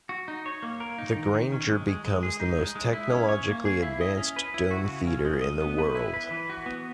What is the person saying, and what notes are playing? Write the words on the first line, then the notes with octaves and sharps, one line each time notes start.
The Grainger becomes the most technologically advanced dome theater in the world.
F#4
D#4
C#5
A#3
A#4
D#4
D#3
D#3
C#4
G#3
G#3
G#3
G#4
D#4
G#3
G#3
E4
C#4
C#5
A#3
G#4
E4
D#5
C#4
B4
E4
F#4
C#3
C#4
G#3
D#5
B3
B4
E4
B4
E3
F#4
B3